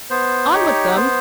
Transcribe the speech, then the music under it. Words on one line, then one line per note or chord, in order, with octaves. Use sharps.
On with them!
B3 C5
D#4 G4 C#5
B3 C5